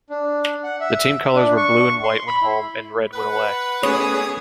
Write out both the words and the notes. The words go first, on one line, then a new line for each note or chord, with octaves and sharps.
The team colors were blue and white when home, and red when away.
D4
F#5
E5
D4
C#6
C6
B5
E4
B4 F#5
A3 B3 C#4 G#4 C#5 D#6